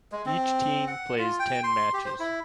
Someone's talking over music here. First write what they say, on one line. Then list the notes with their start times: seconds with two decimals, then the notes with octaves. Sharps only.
Each team plays ten matches.
0.12 G#3
0.26 C4
0.88 F#5
1.18 F4
1.39 G5
1.64 C6
1.93 G4
2.05 C5
2.19 E4